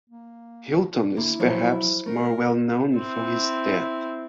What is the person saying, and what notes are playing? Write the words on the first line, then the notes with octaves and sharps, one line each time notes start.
Hylton is perhaps more well known for his death.
A#3
D3 A#3 E4
F3 F#3 C#5
A3 A#4
C4 E4